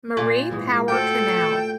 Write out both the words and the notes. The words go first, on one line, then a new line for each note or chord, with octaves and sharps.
Marie Power Canal.
A#2
G#2 E3 G#3
A3 F#4 A4 C5 G5